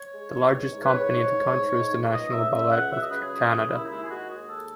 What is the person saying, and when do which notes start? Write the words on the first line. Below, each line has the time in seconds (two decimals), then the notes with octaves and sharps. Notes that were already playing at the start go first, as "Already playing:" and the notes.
The largest company in the country is The National Ballet of Canada.
Already playing: C#5
0.13 G#3
0.32 E2
0.53 G#2
0.72 G#2
0.84 B4
0.92 G#2 C#5
1.12 G#2
1.31 G#2
1.52 G#2
1.72 G#2
1.91 G#2
2.11 C#2 D#5
2.31 C#4 E5
2.50 C#3 E5
2.70 C#2 F#5
2.90 F#3 E5
3.01 D#5
3.10 C#3 B4
3.20 G#4
3.29 C#2
3.49 C#3
3.69 D#2 E4
3.83 D#4
3.88 G#3 E4
4.02 G#4
4.09 G#3 F#4
4.28 D#2 G#4
4.48 G#3 A4